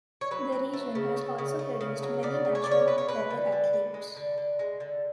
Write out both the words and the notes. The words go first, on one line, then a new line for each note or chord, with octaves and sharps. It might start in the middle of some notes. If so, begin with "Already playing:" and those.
The region has also produced many national level athletes.
C#5
F#3 B4
F#3
A3
C#3
A3
C#3
A3
C#3
F#3
C#3 D5
C#3
C#5
C#3 D5
C#5
G#3 B4
C#5
G#3 B4
D3
D3
D3
G#3
D3
D3
G#3
D3